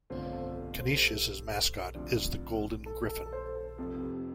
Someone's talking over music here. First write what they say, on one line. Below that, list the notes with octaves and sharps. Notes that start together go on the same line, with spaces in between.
Canisius' mascot is the Golden Griffin.
G1 F2 D3 A3 F4 C5
C5
A4
A4
C5
A4
G4
A4
D2 C3 F3 D4
A4
A4
A4
C5
A4
F1 F2 C3 F3 A4
G4